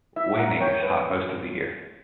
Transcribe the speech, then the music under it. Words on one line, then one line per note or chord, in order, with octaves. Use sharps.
Wanning is hot most of the year.
E4 E5
A#4 F#5
C#5 G5
B4